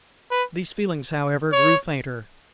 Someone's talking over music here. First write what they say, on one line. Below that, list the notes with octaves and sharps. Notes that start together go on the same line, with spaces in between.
These feelings, however, grew fainter.
B4
C#5